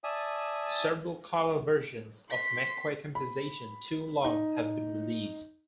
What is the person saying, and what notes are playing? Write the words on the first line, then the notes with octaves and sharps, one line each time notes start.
Several cover versions of McCoy's composition "Too Long" have been released.
D5 E5 G#5 A5 D#6
C6 B6
B5
D#4